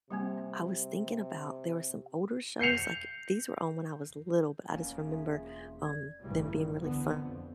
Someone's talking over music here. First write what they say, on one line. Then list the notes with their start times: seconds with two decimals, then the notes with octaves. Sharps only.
I was thinking about, there were some older shows, like these were on when I was little, but I just remember, um, them being really funny,
0.11 C3 G3 A#3 C4
2.59 G6 C7 C#7 F7
4.74 E1 A#3 C#4
5.04 F4 G#4 E5
5.85 D5 G#6
6.21 A1 G2 C#3 E3 G3
6.81 C2 D3 B3
7.20 F2